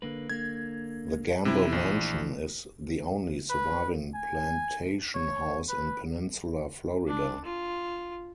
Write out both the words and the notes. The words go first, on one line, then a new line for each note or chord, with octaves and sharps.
The Gamble Mansion is the only surviving plantation house in peninsular Florida.
D3 A#3 B4
D3 A#3 G#6
F#2 C3 E4
A#1 E3 F3
B4
G#5
C#5
B4
D4
F4